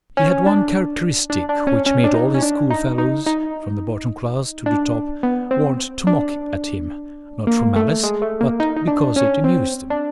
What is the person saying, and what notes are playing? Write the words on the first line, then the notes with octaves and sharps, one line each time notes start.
He had one characteristic which made all his schoolfellows from the bottom class to the top want to mock at him, not from malice but because it amused them.
C#4
D4
D4
D4
C#4
C#4
D4
D#4
C#4
D4
D#4
D#4
D#4
D4
B3
C4
D4
A#3
A3
G#3
A3
A#3
D#4
D#4
D4
C#4
C4
D4